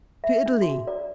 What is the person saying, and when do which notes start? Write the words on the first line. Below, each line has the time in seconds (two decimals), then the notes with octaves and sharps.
"To Italy."
0.24 E5
0.46 D4
0.62 F#4
0.87 D5